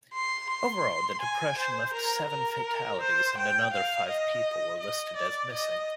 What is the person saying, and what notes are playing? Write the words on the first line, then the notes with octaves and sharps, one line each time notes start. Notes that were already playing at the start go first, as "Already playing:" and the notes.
Overall, the depression left seven fatalities and another five people were listed as missing.
C6
C6
G#5
C5
A#4
A#4
C5
G5
F5
D#5
D#5
D5
D#5